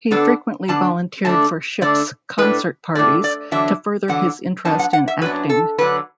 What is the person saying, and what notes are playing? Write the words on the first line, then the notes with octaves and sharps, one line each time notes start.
He frequently volunteered for ships' concert parties to further his interest in acting.
D3 B3 D4 A4
D3 B3 D4 A5
D3 A3 D4 A5
D3 A3 D4 D5
A2 A3 D4 B4
A2 A3 D4 D5
D5
E2 D3 F#3 D4 E5
E2 D3 F#3 D4 F#5
F#2 F#3 B3 D4 A5
F#5
F#5
E5
F#2 F#3 B3 D4 B4
A4
D3 F#3 D4 B4